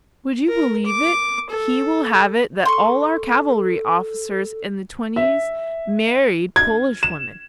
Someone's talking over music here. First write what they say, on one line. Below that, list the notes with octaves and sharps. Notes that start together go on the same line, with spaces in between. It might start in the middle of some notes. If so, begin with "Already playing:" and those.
Would you believe it, he will have it that all our cavalry officers in the twenties married Polish women.
A#4
D6
A4
A4 C6 C#6
E5
G#6
E7